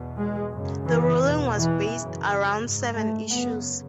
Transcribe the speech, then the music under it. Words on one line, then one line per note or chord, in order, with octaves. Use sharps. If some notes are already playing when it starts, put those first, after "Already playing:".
The ruling was based around seven issues.
Already playing: E2 B2
G#3
F#2 C#3
E3
E2 B2
E3
F#2 C#3
G#2
A3
F#2 C#3 B3